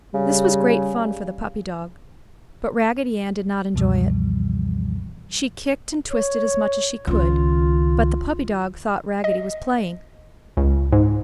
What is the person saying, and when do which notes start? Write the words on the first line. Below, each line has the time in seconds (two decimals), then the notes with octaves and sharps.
This was great fun for the puppy dog, but Raggedy Ann did not enjoy it. She kicked and twisted as much as she could, but the puppy dog thought Raggedy was playing.
0.14 C#3 G3
3.74 C#2 F#2 B2 E3 F3 G3
6.11 C#5
7.07 C#2 D#3 F4
9.24 D#5
10.57 C#2
10.92 G#2